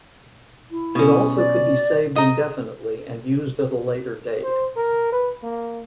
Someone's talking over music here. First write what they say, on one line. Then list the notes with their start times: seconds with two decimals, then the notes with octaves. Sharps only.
It also could be saved indefinitely and used at a later date.
0.71 E4
0.95 B2 C#4
1.37 D5
2.16 G#4 D#5 A#5
4.44 C5
4.77 A#4
5.12 B4
5.43 A#3